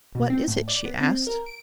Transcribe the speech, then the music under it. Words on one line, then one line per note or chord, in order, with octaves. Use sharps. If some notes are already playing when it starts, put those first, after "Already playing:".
"What is it?" she asked.
B2
C4
A2
D5
B3
C4
A#4
D7